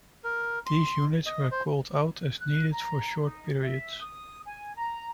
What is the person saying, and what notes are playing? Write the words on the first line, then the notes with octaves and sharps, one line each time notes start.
These units were called out as needed for short periods.
A#4
C6
D#5
C5
F#6
A#5
D#4
E5
D#6
G#5
A#5